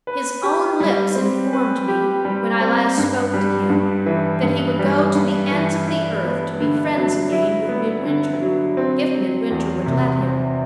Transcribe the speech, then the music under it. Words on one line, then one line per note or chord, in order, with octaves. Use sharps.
His own lips informed me, when I last spoke to him, that he would go to the ends of the earth to be friends again with Midwinter, if Midwinter would let him.
B4
G4
G3
C4
B4
G4
G3
C4
G2
G3
G2
E3
G2
G3
G2
E3
E4
B3
D3
F#3
E4
B3
D3
F#3
C4
F#3
E2
C3
C4